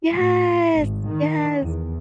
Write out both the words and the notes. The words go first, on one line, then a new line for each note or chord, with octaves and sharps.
Yes. Yes.
A2
G#1
D#3
E2